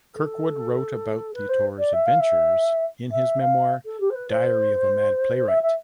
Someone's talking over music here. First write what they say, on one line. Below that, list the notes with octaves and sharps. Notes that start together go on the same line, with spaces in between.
Kirkwood wrote about the tour's adventures in his memoir, "Diary of a Mad Playwright".
A4
B4
C5
D5
E5
F5
E5
E5
F5
A4
G4
C5
B4
C5
E5
E5